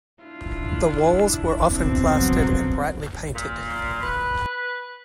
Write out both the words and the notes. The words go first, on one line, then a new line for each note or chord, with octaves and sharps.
The walls were often plastered and brightly painted.
D4 E4 F4
B2 C4
F3 F#3
A#2
B4